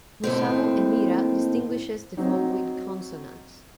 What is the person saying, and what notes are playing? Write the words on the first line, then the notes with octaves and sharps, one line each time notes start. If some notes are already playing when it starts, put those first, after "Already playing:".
Mussau-Emira distinguishes the following consonants.
D#2 A2 C4
F#3 C4 D#4